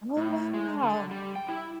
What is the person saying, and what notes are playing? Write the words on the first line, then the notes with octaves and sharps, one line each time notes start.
Oh, wow.
A2
G#3
D3
G3
G5
E4